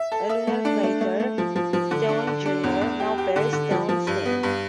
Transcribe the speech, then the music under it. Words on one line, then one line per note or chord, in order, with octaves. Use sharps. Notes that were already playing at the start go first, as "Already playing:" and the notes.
A lunar crater, Theon Junior, now bears Theon's name.
Already playing: E5
A4
E5
A3
D4
A3
A3
A3
F3
F3
F3
D3
D4
D3
D4
E2
E2
G4
G4
D3
D3
F3
F3
G2
B3
G2